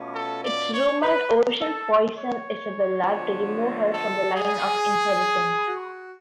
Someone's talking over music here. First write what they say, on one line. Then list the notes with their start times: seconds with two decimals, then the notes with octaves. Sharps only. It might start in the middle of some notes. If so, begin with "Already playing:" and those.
It's rumored Oshin poisoned Isabella to remove her from the line of inheritance.
Already playing: B2 A3 C#4 F4
0.15 A4
0.43 D5
0.73 C#5
1.02 B4
1.60 A4
2.18 C#5
3.05 D3 F3 B3 D4
3.93 A4
4.36 G#4
5.67 F#4